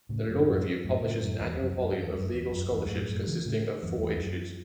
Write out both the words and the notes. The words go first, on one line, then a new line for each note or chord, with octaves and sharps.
The "Law Review" publishes an annual volume of legal scholarship consisting of four issues.
A2 C#3
F#2 A2
G2
F#2 A2
F#2 A2
A2 C#3
F#2 A2
E2 G2
F#2
F#2
E2 G2
F#2
E2
F#2
E2 G2
F#2 A2
F#2 A2
C#3 E3
A2 C#3
E2 G2
E2
F#2